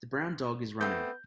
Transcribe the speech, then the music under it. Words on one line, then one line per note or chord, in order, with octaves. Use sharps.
The brown dog is running.
A3 B3 C4 G6